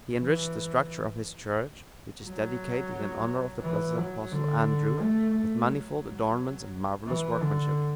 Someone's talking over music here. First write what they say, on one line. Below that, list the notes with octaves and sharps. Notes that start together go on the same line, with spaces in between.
He enriched the structure of his church, which is dedicated in honour of the blessed Apostle Andrew with manifold adornments and marvellous workmanship.
E3
F#3
E3
F#3
D3
A3
A3
F#3
E3
D3